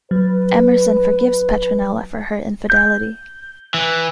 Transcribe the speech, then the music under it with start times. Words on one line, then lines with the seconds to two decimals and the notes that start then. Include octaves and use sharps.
Emerson forgives Petronella for her infidelity.
0.11 F#3 B4
2.70 G6
3.74 E3